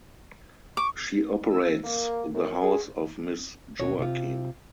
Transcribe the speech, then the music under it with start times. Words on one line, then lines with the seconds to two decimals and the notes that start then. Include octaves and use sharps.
She operates the House of Miss Joaquim.
0.77 C#6 D6
1.50 E6
1.84 A#3
2.34 F#2
2.62 G#4
3.80 D#2 B2 C#5
3.99 C3 F4